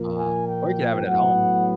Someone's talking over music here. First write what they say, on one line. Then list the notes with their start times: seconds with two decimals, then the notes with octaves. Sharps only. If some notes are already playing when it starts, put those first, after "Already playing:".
Uh, or you could have it at home.
Already playing: A#2 F3 A#3
0.18 G#5
0.48 G5
1.06 A2 F#3 B3 F#5